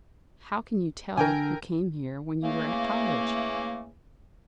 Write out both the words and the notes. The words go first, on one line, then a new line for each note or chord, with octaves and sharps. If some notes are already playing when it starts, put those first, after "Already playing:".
How can you tell who came here when you were at college?
D3 A#4 G5 G#5
C#3 E3 A3 A#3